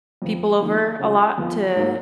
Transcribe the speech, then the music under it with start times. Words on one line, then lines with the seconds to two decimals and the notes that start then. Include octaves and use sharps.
people over a lot to
0.22 F2 F3 B3
0.60 F2 D#3 A#3 D#4
0.99 C#3 F#3 C#4 F4
1.38 F2 F3 B3 F4
1.76 G#2 F#3 A#3